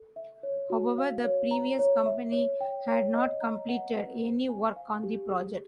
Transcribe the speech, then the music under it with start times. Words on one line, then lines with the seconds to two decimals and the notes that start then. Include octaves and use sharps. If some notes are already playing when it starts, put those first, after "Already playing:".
However, the previous company had not completed any work on the project.
Already playing: A4
0.16 E5
0.43 C#5
0.70 F#4
0.98 F5
1.24 C#5
1.51 A#5
1.79 C#5
2.06 E5
2.32 C#5
2.61 G5
2.88 C#5
3.14 D#5
3.41 A#5
3.69 F#5
3.95 B4
4.22 C5
4.49 G#5
4.76 F5
5.03 G4
5.31 G#4